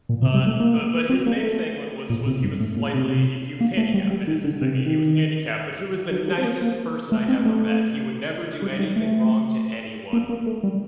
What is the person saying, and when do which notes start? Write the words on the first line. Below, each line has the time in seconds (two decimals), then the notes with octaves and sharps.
Uh, but but his main thing w was was he was slightly he he was handicapped i is his thing. He he was handicapped, but he was the nicest person I ever met, he would never do anything wrong to anyone
0.09 A#2
0.22 C3
0.34 G3
0.47 A3
0.60 A#3
1.10 C4
1.26 A#3
1.43 A3
2.10 A#2
2.26 C3
2.44 G2
2.60 A2
2.77 A#2
2.94 C3
3.61 A#3
3.77 A3
3.94 G3
4.10 G3
4.27 D#3
4.44 D3
4.61 C3
4.86 D#3
6.11 F#3
6.28 G3
6.38 C4
6.45 A#3
6.62 A#3
7.12 A3
7.29 C4
7.46 A3
8.62 G3
8.79 G3
8.96 A3
10.13 A#3
10.29 A#3
10.46 A3
10.63 G3